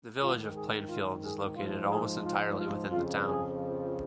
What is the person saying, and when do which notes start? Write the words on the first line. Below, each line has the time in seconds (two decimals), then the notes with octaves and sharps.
The Village of Plainfield is located almost entirely within the town.
0.22 G#2 D#3 F4
0.55 G#4
0.89 F4
1.23 G#4
1.56 G#2 F3 F4
1.89 G#4
2.23 F4
2.57 F4
2.90 F2 C#3 F3 F4
3.24 G#4